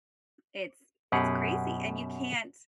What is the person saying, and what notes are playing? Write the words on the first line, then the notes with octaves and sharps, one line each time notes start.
it's it's crazy, and you can't
F#2 B2 G4 G#4 F#5